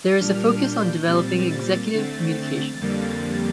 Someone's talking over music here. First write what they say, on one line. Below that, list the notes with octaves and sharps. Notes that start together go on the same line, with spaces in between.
There is a focus on developing executive communication.
A#2 G3 D4 F6
G6
A#2 G3 C4 A6
A6
D3 A3 C4 A6
A6
F2 D3 G3 A#3